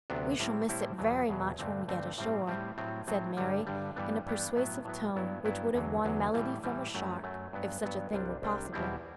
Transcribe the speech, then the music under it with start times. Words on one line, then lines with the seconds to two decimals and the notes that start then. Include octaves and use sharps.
We shall miss it very much when we get ashore,' said Mary, in a persuasive tone which would have won melody from a shark, if such a thing were possible.
0.10 D2 C3 F#3 B3 D4
0.40 A2 G3 C4 E4
0.69 A2 G3 C4 E4
0.98 E2 B2 F#3
1.29 E2 B2 F#3
1.59 G2 D3 A3 C4
1.88 G2 D3 A3 C4
2.18 A2 G3 C4
2.47 A2 G3 C4
2.78 A2 F#3 C4
3.07 A2 F#3 C4
3.37 G2 D3 G3
3.67 G2 D3 G3
3.96 G2 E3 G3 B3 D4
4.27 G2 E3 G3 B3 D4
4.56 A2 F#3 B3
4.85 A2 F#3 B3
5.15 G2 F#3 B3 E4
5.45 G2 F#3 B3 E4
5.74 E2 D3 F#3
6.05 E2 D3 F#3
6.34 A2 E3 G3
6.64 A2 E3 G3
6.94 F#2 F#3 A3
7.23 F#2 F#3 A3
7.53 G2 F#3 B3
7.83 G2 F#3 B3
8.13 C2 C3 G3 D4
8.42 C2 C3 G3 D4
8.73 E2 B2 G3 C4 E4